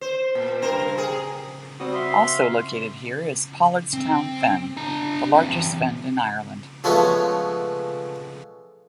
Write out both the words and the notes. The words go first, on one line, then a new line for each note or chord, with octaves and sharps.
Also located here is Pollardstown Fen, the largest fen in Ireland.
C5
A#2
G2 A#4 C5
G#4
G3 C4 F#4 D#6
E5 F5 C6
C4
D4 A#5
E3 C4
C#3 F3 G#3 A3 B3 C#4